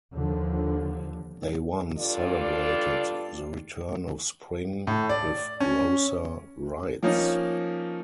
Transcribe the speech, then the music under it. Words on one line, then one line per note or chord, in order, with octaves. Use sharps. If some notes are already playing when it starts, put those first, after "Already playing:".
They once celebrated the return of spring with grosser rites.
D#2 D3 F3
G2 F4 A4 D5
A2
D5
C#4
F3 A#3 C#4 D#4